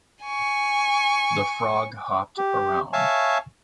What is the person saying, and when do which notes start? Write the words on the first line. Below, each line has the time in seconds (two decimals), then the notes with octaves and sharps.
The frog hopped around.
0.24 G#5 C#6
2.38 G4
2.93 C#5 E5 F5 G#5 A5 C#6